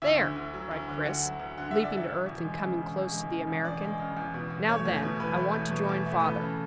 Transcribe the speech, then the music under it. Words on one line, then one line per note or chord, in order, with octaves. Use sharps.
"There!" cried Chris, leaping to earth and coming close to the American. "Now then, I want to join father."
D2 E5
D3
D2
F#3
D2
D3
D2 F#5
F#3
D2
D3 F#5
D2 E5
D5
F#3
E5
E1
E2
G#3
C#3
E1
E2
G#3
C#3
E1
E2 D5
G#3
C#3
E2
B2
E2
A3 C#5
E2
B2
E2 B4
A3
E2
B2
E2
A3
B4
E2 A4
C#3